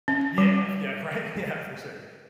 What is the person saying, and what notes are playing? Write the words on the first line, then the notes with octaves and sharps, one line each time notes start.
Yeah, yeah, right, yeah, for sure,
C#4
G3